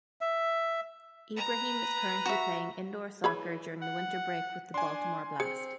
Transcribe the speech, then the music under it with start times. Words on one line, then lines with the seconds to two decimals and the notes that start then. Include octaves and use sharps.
Ibrahim is currently playing indoor soccer during the winter break with the Baltimore Blast.
0.21 E5
1.36 B4 A#5
2.26 F#4 E5
3.24 E3 G#4 C#5 B5
3.82 F#5
4.74 D4 G#5 C6
5.40 C4 G#4 C#7